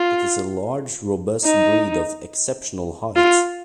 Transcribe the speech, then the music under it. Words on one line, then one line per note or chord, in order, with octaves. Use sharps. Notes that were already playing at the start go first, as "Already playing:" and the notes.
It is a large, robust breed of exceptional height.
Already playing: F4
D#4
F4